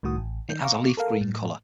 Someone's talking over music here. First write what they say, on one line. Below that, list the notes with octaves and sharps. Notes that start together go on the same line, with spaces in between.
It has a leaf green color.
C2 A2 D#3 F#4 D#6
A1
D#3 G6
F5 A#5 C#6 D6
A4 A#4 F5
A2